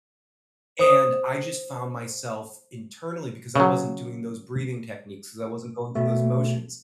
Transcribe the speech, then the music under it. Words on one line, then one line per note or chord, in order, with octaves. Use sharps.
and I just found myself internally because I wasn't doing those breathing techniques, because I wasn't going through those motions.
C5 D#6
C#3 F#3
B2 A3